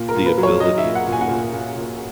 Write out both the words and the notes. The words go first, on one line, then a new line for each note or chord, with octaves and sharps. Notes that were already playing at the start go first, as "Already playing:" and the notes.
the ability to
Already playing: A#2
A#4
A#2
B4
F#3
C#5
F#3 D#5
E5
A#2
F#5
A#2
G#5
F#5
A#2 G#5
A#2
A#2